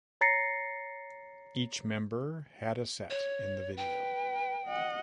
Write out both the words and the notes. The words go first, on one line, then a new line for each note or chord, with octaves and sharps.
Each member had a set in the video.
C#5 A#5 A6 A#6 C7 C#7
C#5
B4 G5
D#5 F#5